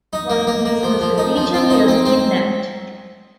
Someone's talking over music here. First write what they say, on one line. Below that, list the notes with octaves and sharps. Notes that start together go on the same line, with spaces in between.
One of these was the feature film "Kidnapped".
D#4
A#3
A#3
A#3
F3
F3
D#4
F3
C4
D#4
C4
C4